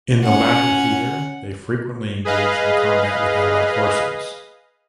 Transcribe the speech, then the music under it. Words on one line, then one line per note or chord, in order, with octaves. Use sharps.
In the latter theatre they frequently engaged in combat with Allied forces.
C#4 F#5
G#4 B4 D#5 F5